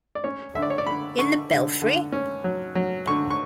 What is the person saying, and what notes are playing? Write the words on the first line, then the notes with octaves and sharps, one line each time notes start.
In the belfry?!
D5
C#4 C#5
D3 E5
D5
C#5
D5
D3 B5
D3 C#6
D3
D3
C#4
F#3
F#3
D3 C#6
C#6